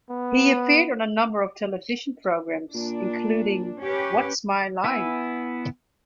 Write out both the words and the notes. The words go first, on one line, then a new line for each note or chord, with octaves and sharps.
He appeared on a number of television programs, including What's My Line?
B3
A#2 D4
C#4 G4 B4
B3 E4 G#5 E6